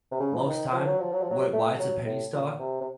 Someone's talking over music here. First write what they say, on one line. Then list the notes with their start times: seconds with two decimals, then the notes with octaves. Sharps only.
Most time, wa why it's a penny stock,
0.12 C3
0.20 C#3
0.35 F3
0.46 D#3
0.73 F3
0.86 F#3
1.00 F3
1.13 F#3
1.22 F3
1.31 F#3
1.53 A3
1.79 F#3
2.06 A2
2.33 A#2
2.59 C3
2.81 C3